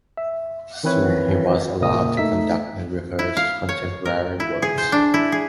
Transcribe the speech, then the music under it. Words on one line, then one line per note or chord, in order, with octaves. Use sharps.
Soon he was allowed to conduct and rehearse contemporary works.
E5
D#3 E3 C4 E4 B4 C#5
A#2 C#3 A#3 A#4 D#5 D#6
A3 D#4 E5 B6
E4
F5
C#5
A#4
E4
G#4
C5
D4
E4
G#4